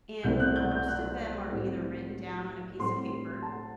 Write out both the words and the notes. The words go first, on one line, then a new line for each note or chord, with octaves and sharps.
and most of them are either written down on a piece of paper,
C2 B2 A3 C4 G6
F#6
G6
G6
F#6
A2 G3 C4
A2 G3 C4 C6
A5